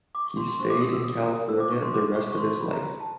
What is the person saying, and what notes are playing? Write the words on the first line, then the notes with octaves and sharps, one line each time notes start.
He stayed in California the rest of his life.
D6
C#6
C6
C6
D4 G4 C5 C#6
D6
D#6
E6
D#6
D#6
D4 F4 A4 C5 E6
D6
C#6
C6
D6
C#6
C#6
E4 A4 C5 C6
C#6
B5
A#5
A5